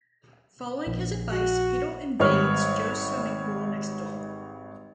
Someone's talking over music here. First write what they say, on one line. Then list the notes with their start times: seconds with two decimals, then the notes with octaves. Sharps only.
Following his advice, Peter "invades" Joe's swimming pool next door.
0.87 A#1
1.31 F#4
2.20 G#1 G3 B4 C#5 F6